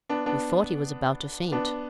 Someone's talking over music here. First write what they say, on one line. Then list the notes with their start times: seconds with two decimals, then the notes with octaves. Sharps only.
We thought he was about to faint.
0.09 B3 D4
0.26 B3 D4
1.52 B3 D4